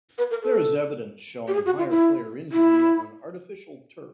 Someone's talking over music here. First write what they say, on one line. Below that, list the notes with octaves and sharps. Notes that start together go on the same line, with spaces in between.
There is evidence showing higher player injury on artificial turf.
B4
A#4
A4
G4
G#4
F#4
F4
E4
E4